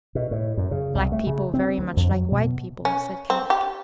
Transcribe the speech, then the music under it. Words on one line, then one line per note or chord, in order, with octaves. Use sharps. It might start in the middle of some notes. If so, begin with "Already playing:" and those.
"Black people very much like white people," said Kadok.
B2
A2
F#2
C#3
C2
A3
C#3
C4
D2
F2
F#3
B2
C#4
C4
G4